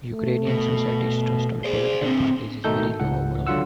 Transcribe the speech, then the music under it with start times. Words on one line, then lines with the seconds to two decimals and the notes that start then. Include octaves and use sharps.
Ukrainian society's trust of political parties is very low overall.
0.14 A3
0.47 B2
1.64 G#4 C5 D5
2.01 D3 C4
2.64 B2 D#3 A3 D#4 A4 G6
3.00 C#2 F#5
3.47 D3 F#3 F4 F#5 E6